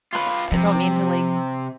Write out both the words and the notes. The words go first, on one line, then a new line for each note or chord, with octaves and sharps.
I I don't mean to, like,
F4 B4
C3 F3